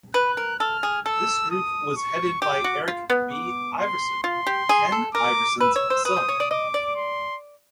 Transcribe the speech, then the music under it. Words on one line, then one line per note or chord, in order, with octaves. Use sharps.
This group was headed by Eric B. Iverson, Ken Iverson's son.
B4 F#6
A#4
A4 F6
G#4
A4 E6
D#6
C#6
G4 D6
F#4
F4
B3
D6
C6
F4 C6
G4
G#4
A4
A#4 D6
B4 E6
C#5
C5
B4 D#6
C5
C#5
D5
D#5 D6
D5
C6